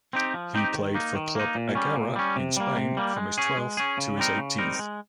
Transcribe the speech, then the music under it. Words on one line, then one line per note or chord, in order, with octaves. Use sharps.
He played for Club Egara in Spain from his twelfth to his eighteenth.
C4 D#4 G4
F3
C4 D#4 G4
D#3
A#3 D#4
D#3
A#3 D#4
A#2
G3 C#4
A#2
G3 C#4
C3
G3 A#3
C3
G3 A#3
G#3
C#4 G#4
G#3
C#4 G#4
C#3
G3 C4 D#4 A#4
C#3
G3 C4 D#4 A#4
G#3